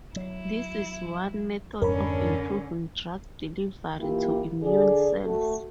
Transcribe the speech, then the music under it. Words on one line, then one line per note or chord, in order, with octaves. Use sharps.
This is one method of improving drug delivery to immune cells.
F#3 E4
F2 G#2 D3 F3 C#4 A#4 C#5 B5
E3 A#3 E4 F4 G4
D3 G#4 D5
A3 F#4